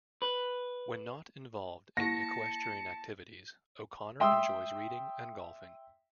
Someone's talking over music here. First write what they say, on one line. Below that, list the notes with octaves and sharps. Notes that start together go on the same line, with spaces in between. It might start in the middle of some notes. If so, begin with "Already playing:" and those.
When not involved in equestrian activities, O'Connor enjoys reading and golfing.
B4
A#3 E4 A5 A#6 C#7
E5 G5 C6 D#6 E6